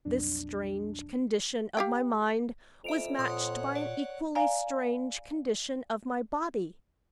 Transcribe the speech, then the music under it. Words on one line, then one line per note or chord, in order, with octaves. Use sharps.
This strange condition of my mind was matched by an equally strange condition of my body.
B1 F2 D4
G4 F5 G5
F2 E5 D7 F7
A#2 C#5 F#5 C6 D#6
D5
D5 F5 G#5 A#5